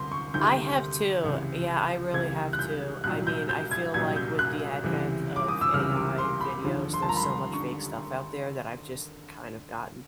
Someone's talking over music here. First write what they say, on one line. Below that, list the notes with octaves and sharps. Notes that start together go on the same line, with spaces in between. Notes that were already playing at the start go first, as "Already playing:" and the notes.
I have too, yeah, I really have too, I mean, I feel like with the advent of AI videos, there's so much fake stuff out there that I've just kind of gotten
Already playing: D2 C3 C6
C#6
D2 C3 D#3 G6
C#2 C3 E3
C#2 C3 E3 G#6
F#6
G6
C2 A#2 F#3 F#6
G6
G6
G#6
C2 A#2 F#3 G#6
G6
F#6
C#2 C3 E3
D6
D#6
E6
C#2 C3 E3 F6
D6
C6
B5
D#2 D3 F3
C6
A5
A#5
B5
C6
D3 C#6